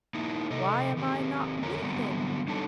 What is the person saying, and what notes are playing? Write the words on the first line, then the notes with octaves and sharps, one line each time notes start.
Why am I not with him?
A#3 D#4 E4
C3 A4 D#5
D#3 C4 G4
F2 D3 A4 A#4 C#5 A#5
D3 F#3 G3 B3 C4
G3 D4 D#4 A4 C#5 A5